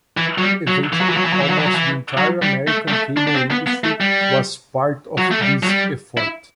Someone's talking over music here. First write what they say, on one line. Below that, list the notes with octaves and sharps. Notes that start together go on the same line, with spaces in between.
Eventually, "almost the entire American cable industry" was part of this effort.
E3
F#3
G3
F#3
E3
F#3
E3
F#3
E3
F#3
E3
F#3
E3
F#3
E3
F#3
G3
A3
G3
A3
D4
D4
C4
B3
B3
A3
G3
F#3
A3
G3
F#3
G3
E4